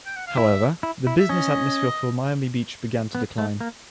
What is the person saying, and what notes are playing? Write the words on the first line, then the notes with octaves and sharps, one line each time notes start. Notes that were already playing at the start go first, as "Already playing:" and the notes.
However, the business atmosphere for Miami Beach began to decline.
G5
F#5
F5
E4 E5
E4
E4
E5
C#4 D#5
B3
A3
A#3